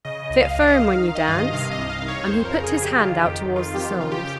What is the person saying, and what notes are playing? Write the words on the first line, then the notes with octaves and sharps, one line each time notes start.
"Sit firm when you dance"; and he put his hand out towards the soles.
C#3 D#5
C#2
F5
C#2
D#5
D#3 F5
D#3
D#5
G2 F5
D#5
C3 F5
D#5
C2
F5
D#3
C#5
F2 C5
A#4
C#3
G#4
F2
G4
D#3 F4
G4
F2
D#3
F4
F2 G4
F4
C#3 F4
G4
C#3